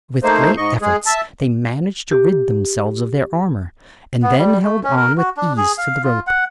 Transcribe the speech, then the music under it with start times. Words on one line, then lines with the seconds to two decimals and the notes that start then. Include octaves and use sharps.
With great efforts they managed to rid themselves of their armour, and then held on with ease to the rope.
0.23 A3 A#3 D#4 C5
0.57 G#2 D#5 C#6
0.81 G#3 G#4
1.06 E5 A5
2.11 G4
4.23 B3
4.38 G3
4.63 A3
4.84 C#4
4.96 A#4
5.17 F#4
5.37 D4
5.57 G#4
5.78 F5
6.03 F4
6.27 F#5